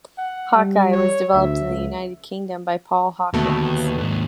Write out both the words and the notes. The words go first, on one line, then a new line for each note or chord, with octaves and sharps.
Hawk-Eye was developed in the United Kingdom by Paul Hawkins.
F#5
G3
C#5
D2 E5
C#2
D#2 B2 D3 A3
D#2 G#2